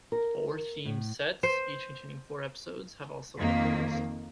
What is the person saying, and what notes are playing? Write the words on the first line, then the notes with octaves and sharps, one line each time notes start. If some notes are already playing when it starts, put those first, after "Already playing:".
Four themed sets, each containing four episodes, have also been released.
A#4
A2
C5
F2 D#3 A#3